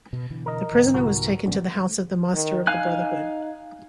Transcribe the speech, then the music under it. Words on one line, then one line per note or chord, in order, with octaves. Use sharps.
The prisoner was taken to the house of the Master of the Brotherhood.
B2
B2 D3 E3
A#4 D#5
G#2 D3 E3
C2 F#4 A#4
A1 D3 F#3 A3 C4
D#3
D#4 F5 G#5 F#6